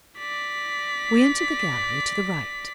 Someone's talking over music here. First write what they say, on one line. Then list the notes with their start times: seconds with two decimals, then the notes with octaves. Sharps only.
We entered the gallery to the right.
0.18 D5 B6